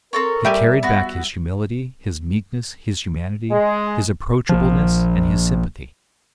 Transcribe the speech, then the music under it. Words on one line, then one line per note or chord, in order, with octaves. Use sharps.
He carried back His humility, His meekness, His humanity, His approachableness, and His sympathy.
C4 A4 A#4 C#5
G3 G4 E5 G#5
B3 F#4
G#3
A#1 F3